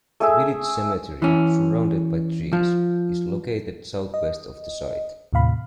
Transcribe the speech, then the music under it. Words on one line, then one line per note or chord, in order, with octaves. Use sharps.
The village cemetery, surrounded by trees, is located southwest of the site.
A3 G#4 E5
E3 C#4
F3
D#5
D#2 A2 C3 F5 B5